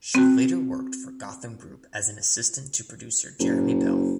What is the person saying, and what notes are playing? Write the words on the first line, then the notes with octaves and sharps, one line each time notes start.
She later worked for Gotham Group as an assistant to producer Jeremy Bell.
C4 F#4
F#1